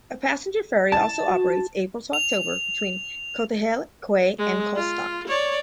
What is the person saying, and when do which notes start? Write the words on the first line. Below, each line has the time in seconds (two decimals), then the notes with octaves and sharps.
A passenger ferry also operates April to October between Cotehele Quay and Calstock.
0.92 A5
1.28 F#4
2.13 F7
4.38 G#3
4.76 F4
5.28 C#5 D5